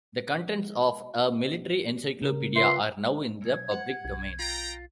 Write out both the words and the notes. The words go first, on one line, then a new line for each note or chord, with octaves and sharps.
The contents of "A Military Encyclopedia" are now in the public domain.
C#3 A#4
F4 B4 E5 C6
B1 F#2 G#6
F#5
B1
F4 G5 A#5